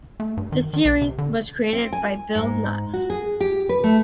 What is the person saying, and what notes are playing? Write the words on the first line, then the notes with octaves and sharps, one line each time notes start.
The series was created by Bill Nuss.
A3
G2
D#3
D#3
B1
C3
D3
C4
G#5
G#2
F#4
G#4
G4
B4
A3